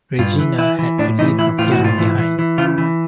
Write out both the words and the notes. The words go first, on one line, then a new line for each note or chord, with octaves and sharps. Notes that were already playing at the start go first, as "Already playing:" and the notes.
Regina had to leave her piano behind.
G2 F4
E3
E3 E4
E3
A2 D4
E3 D#4
E3 E4
A2 F4
F#4
G#2
F4
E3
E3
E3
C#3 F4
E3